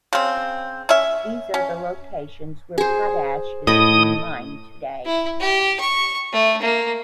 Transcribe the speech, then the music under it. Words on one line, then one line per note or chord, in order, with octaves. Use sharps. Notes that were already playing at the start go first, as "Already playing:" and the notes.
These are the locations where potash is being mined today.
C#3 C4
C#4 E5
C#4
G#4 C5
A2 D#5 B5 D#6
E4
G4
C#6
A3
A#3